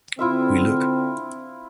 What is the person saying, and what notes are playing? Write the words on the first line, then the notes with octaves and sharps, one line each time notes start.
We look.
D3 C4 E4 F4 E5